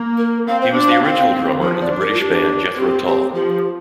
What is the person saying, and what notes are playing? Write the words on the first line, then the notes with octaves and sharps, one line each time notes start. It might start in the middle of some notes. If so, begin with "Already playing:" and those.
He was the original drummer in the British band Jethro Tull.
Already playing: A#3
A#4
C4 F5
C5
D4
F5
C4 F5
F3 C5
D5
D4
A#4
F4
D4 G4
C4 G4
G4
F3 G4